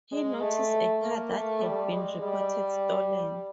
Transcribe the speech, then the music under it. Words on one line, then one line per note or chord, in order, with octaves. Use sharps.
He noticed a car that had been reported stolen.
G#3
A3
A#3
A3
G3
G#3
G3